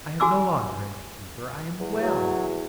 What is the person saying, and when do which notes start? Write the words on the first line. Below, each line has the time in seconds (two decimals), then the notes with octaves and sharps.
I have no longer any fever; I am well.
0.20 F#4 G#5 D6 E6
1.80 E2
1.98 F#3